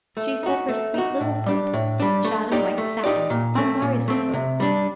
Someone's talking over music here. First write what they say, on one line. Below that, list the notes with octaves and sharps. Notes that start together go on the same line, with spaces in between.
She set her sweet little foot, shod in white satin, on Marius' foot.
A3
D#4 F#4
A3
D#4 F#4
A2
G3 D4
A2
G3 D4
A3
D#4 G4 D5
A3
D#4 G4 D5
A#2
A3 C4
A#2
A3 C4
C3
G3 D4